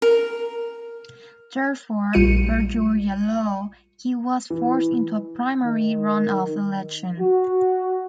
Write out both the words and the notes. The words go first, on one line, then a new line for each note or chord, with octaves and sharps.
Therefore, per Georgia law he was forced into a primary runoff election.
A#4
A#1 G3 F4 C#7 D#7
E3
D#3
F#4